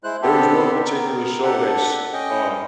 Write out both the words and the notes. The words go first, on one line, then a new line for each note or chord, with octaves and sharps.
there was one particular show that's, uh,
G#3 E4 C5 F#6
B3 C4 D4 G4 A4
B3 A#4
D4 G4 A4 F#5
C#4 D#5 G5